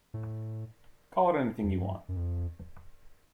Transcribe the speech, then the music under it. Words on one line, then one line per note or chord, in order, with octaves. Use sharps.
Call it anything you want.
A2
F2
F#2
G2
F#2
F2